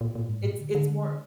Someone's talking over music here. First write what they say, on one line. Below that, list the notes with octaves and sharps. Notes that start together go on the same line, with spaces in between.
it's it's more
A#2
A#2
G#2
A#2
D3
D3